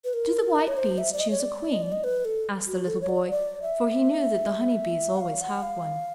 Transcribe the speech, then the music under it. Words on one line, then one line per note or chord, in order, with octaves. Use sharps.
"Do the white bees choose a queen?" asked the little boy; for he knew that the honey-bees always have one.
B4
A#4
C#5
C5
E5
D5
D#5
C#5
D5
D#5
D5
D#5
B4
A4
F#4
A4
C#5
D5
D5
E5
F#5
F5
F#5
F5